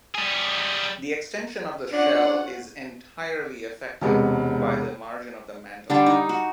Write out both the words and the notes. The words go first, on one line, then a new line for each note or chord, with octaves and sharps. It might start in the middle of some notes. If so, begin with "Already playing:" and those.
The extension of the shell is entirely effected by the margin of the mantle.
G3 G#4
C#4 D4 F4 F#5
E1 C3 G#3 B3
D3 G3 D4
D#4
F#4